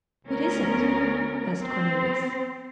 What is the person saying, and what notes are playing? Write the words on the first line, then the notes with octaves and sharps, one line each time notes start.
"What is it?" asked Cornelius.
D2 B3 C#4 A#4
C4 C5